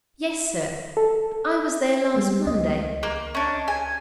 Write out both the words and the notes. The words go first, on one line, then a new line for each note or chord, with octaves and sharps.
"Yes, sir, I was there last Monday."
A4
G3 G#3 B3
C#2 D#5
A#3
C#4 D4
G#5